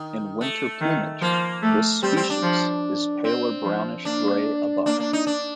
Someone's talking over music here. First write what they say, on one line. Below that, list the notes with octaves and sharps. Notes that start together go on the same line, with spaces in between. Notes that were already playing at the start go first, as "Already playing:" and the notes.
In winter plumage, this species is paler brownish gray above.
Already playing: D#3
A3
D#3
F3 A#3
A3
G3 C4
C4
D4
F3
C4
F3
A#3 D4
A#3 D4
D4
D#4
D4